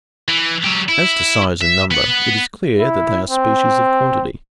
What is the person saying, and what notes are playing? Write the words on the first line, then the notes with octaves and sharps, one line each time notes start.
As to size and number, it is clear that they are species of quantity.
E3
F#3 G4
E4
E5
B3 F#5
E4
C4